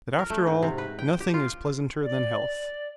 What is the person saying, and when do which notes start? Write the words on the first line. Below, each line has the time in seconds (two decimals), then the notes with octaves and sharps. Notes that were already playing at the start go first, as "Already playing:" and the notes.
That after all nothing is pleasanter than health.
0.19 A#4
0.30 A3
0.47 G#2
0.63 C3
0.78 B4
0.99 G5
1.20 G4
1.34 F4
2.03 D5